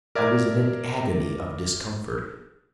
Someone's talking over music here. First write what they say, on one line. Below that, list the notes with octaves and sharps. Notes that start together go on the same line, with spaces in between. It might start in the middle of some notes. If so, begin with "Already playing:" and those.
'I was in an agony of discomfort.
A#4 D5 E5 G#6